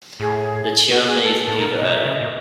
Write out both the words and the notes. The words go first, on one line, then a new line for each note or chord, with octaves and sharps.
The Chairman is Peter Allen.
A2 G#4
F#4
G#4
A4
A4
A2
A#2 A#4
D#5
B2
E5
C#3
D#5
A#2